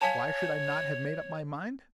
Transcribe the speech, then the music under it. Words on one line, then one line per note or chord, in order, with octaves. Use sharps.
Why should I not have made up my mind?
C#5 F5 G#5 A5